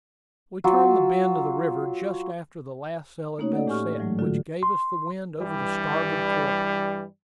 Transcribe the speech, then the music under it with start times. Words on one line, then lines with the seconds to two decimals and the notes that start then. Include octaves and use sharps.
We turned the bend of the river just after the last sail had been set, which gave us the wind over the starboard quarter.
0.64 F#3 F4
3.38 A3 A#3 C#4 D#4 F#4 C#5
3.53 A4 D5 D#5 F#5
3.67 A2 G4 G#5 C#6 F6
3.98 G#2 E3 F#3 G#3 A3
4.19 D3 F4 F#4 A4
4.63 C6
5.37 G2 E3 G3